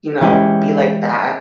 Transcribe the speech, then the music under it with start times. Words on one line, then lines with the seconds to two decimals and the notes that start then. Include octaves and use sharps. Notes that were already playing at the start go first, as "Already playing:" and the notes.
you know, be like that,
0.21 E3 G#3 C#4 E4 G4